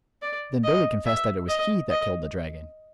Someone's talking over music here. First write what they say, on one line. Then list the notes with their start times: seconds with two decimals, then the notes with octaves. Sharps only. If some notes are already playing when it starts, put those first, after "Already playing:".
Then Billy confessed that it was he that killed the dragon.
0.22 D5
0.64 D#5
1.06 E5
1.49 D#5
1.90 D#5